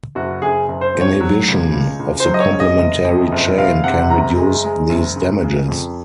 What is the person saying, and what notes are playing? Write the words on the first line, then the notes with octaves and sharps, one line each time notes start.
Inhibition of the complementary chain can reduce these damages.
F#1 F#4
F#1 G#4
F#1
C5
F2
C#5
F#3
C#2
C#2
C#2
C5
F#3
D#5
C#5
C#3
D#5
F#1
F2
F#1
F#1 F5
C3 F#5
F#1 A#5
G#3
G#3
F#1
C#3
C#3
F2